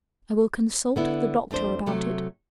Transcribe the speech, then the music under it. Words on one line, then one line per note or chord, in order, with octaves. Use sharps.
I will consult the doctor about it.
D3 B3 E4
F2 A3 D4 C5
C3 F#3 A3